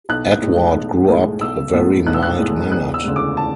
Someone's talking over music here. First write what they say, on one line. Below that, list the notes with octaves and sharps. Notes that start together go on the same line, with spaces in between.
Edward grew up very mild-mannered.
B1 F#6
F#6
A2 G#3
B1
A2 G#3
B1 E6
A2 G#3 B3
B1 F#6
E6
F#6
A2 G#3 B3
E1 F#6
E6
D2 C#3 G#3
D6
A5